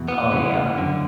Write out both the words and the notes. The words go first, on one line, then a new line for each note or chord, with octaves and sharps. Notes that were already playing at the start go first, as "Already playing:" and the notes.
Oh yeah.
Already playing: E2 B2
B3
E2 C#3 E3
F#2 D3